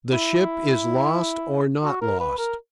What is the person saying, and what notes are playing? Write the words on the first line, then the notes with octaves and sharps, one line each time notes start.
The ship is lost or not lost.
E4
F#4
A#4
B4
A#4